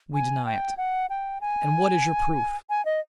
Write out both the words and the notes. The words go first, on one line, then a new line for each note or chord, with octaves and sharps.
We deny it; and what is your proof'?
G#5
G5
F#5
G5
G#5
G#5
D#5